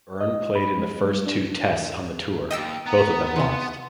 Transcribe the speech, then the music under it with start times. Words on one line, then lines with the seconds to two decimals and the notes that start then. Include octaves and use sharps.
Burn played in the first two Tests on the tour, both of them lost.
0.21 D#5
0.55 B5
0.79 G#3
1.05 G3
1.27 D4
1.73 E2
2.51 D#2 D#5 G5 E6
2.86 B3 A#5
3.36 C3 D#3 C6